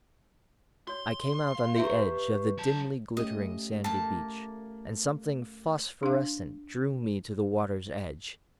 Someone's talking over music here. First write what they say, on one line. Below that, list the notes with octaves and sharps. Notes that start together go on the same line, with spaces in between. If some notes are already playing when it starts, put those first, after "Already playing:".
I came out on the edge of the dimly glittering sandy beach, and something phosphorescent drew me to the water's edge.
F#4 C#5 C6
F5
F#4 G4 B4 E5 A#5 C#6
F#3 A5
A3 C#4 G4 D#5
A3 A#3 A5
D4 F5